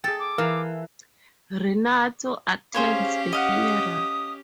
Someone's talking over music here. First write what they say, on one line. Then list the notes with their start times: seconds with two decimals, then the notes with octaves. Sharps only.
Renato attends the funeral.
0.04 G#4 A4 G5 A6
0.20 D6
0.38 E3 A#4 F5 E6
2.74 C#4 G4 G#4 C5 C#5 F5
3.33 D#5 F5 F#5 D#6